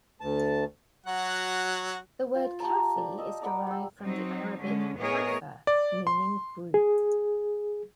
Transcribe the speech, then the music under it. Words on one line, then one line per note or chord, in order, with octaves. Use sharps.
The word Kafi is derived from the Arabic "kafa" meaning group.
D2 A5
F#3 F#4 F#5
F4
G4 A5 A#5
D5
D#5 E6
A#4 D5 F#5 B5
G3 E6
F#3 C4 D#4
D3 G#3 C#4
A2 B3 G#4 A#4 C#5 D#5
D5
C6
G#4